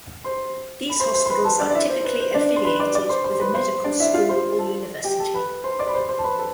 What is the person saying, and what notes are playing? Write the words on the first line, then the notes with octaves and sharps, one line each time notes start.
These hospitals are typically affiliated with a medical school or university.
C5 C6
B5
C5 C6
C5 C6
C6
B4 B5
A4 A5
D4 D5
D5
E4 E5
C5
B4
C5
D4 D5
C6
B4 B5
D5 D6
D5 D6
C5 C6
C5 C6
B4 B5
C5 C6
D4 D5
E4 E5
F4 F5
C5 C6
A4 A5
G4 G5
A4 A5
B4 B5
C5 C6
D5 D6
B5
C5 C6
C5 C6
A5
B4 B5
A4